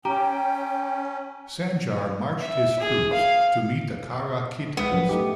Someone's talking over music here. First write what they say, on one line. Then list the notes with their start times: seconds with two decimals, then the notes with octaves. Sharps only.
Sanjar marched his troops to meet the Kara-Khitans.
0.05 C#4 G4 G5 A#5
2.40 E5
2.80 G#4
3.13 F5
4.77 G#3 B3
4.91 F#2 A2 F3
5.09 A3 D#4 G4